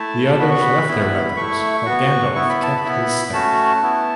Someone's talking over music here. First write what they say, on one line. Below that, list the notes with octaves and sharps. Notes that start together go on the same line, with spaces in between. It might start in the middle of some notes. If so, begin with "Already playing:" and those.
The others left their weapons, but Gandalf kept his staff.
Already playing: A3 E4 A5
B3 F#4 B5
C#6
B5
B3 E4
A3 E4 C#6
B3 F#4
B3 E4 C#6
B5
A5
B5
B3 E4
A3 C#4 F#4 A5
B3 E4